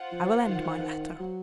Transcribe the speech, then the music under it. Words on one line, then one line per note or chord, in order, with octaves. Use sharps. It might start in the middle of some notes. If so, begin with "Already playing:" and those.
I will end my letter.
Already playing: F4 C5 F#5
F3
D#3
F#3